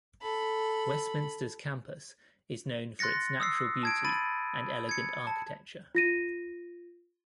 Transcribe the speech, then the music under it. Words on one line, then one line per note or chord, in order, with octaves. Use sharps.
Westminster's Campus is known for its natural beauty and elegant architecture.
A4 B5
C6 F#6 A6 A#6 C#7
D#6 E6 C7
A5 G#6 D7
B5 A6 D#7
G#6 C#7
A5
F4 A#6 D#7